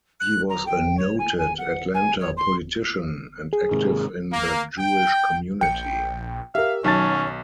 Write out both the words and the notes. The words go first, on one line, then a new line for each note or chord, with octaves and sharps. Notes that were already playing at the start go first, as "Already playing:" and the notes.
He was a noted Atlanta politician, and active in the Jewish community.
F#6
A#5
G5
C#5
G#5
G#5
F#5
G#5
C#5
C6
G#4
G#2 C3 D#3
A#3
G5
A#1 G5 C#7
G4 A#4 E5 F5
B1 D#3 F#3 C#4 A5 A6